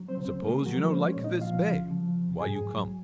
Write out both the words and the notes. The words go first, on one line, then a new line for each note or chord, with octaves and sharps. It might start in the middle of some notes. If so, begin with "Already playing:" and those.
Suppose you no like this bay, why you come?
Already playing: F#3
C4 C5
C#3
C4 C5
G#3 A#3 A#4
G#3 G#4
F3 F#3 F#4
A#3 A#4
G#3 C4 C5
C#4 C#5
A#2
D#4 D#5
F3 F4 F5
C#3
F3
C3
G#2 G#4 G#5
F#3